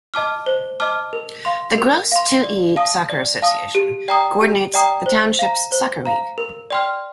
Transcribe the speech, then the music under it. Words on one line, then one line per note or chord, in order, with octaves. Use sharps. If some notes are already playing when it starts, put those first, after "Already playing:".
The Grosse Ile Soccer Association coordinates the township's soccer league.
D#5 A5 D6 F6
C5
D#5 A5 D6 F6
A#4
F5 C6
A#4
F5 C6
D5
F5 A5 D#6
D5
F5 A5 D#6
G4
D5 G5 A#5 D#6
G4
D5 G5 A#5 D#6
C5
F5 A#5
C5
F5 A#5
A#4
D5 G5 C6 F6